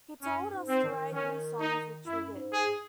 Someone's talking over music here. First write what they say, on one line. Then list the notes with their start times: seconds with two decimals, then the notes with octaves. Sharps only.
He told us to write new songs - which we did.
0.22 F#2 C#4
0.53 G#2
0.68 C4
0.83 D#3
1.13 D#3 C#4
1.59 D#4
2.06 F#2 E4
2.36 G#2
2.52 G#4